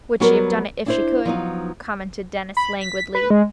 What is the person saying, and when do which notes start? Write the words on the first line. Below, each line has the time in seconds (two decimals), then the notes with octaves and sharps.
"Would she have done it if she could?" commented Denis, languidly.
0.20 F#3 G3 B3 F#4 A#4 B4
0.86 D4 E4 C5
1.25 F3 F#3 B3 D#4
2.57 B5
2.81 B6
3.15 B4
3.30 G#3